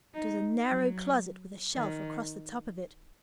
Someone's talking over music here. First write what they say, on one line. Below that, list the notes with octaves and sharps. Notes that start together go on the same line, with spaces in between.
It was a narrow closet, with a shelf across the top of it.
D#4
F#3
D#3